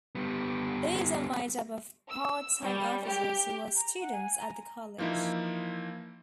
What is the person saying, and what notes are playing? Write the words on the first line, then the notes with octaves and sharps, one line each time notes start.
These are made up of part-time officers who are students at the college.
G3 B3
E6
G3
G4
A#5
F#5
G#5
A#5
E3 F3 A#3 D#4 E4